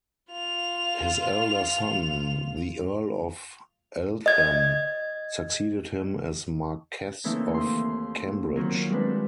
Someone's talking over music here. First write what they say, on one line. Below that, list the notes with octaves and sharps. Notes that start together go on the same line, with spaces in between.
His elder son, the Earl of Eltham, succeeded him as Marquess of Cambridge.
F4 F7
D#5 G#6
C#3 E3 A3 A#3 C4 D#4
D#2 C6
D#3 F#3 C4 F4 A#4
G3 G#3 C4 D4 B4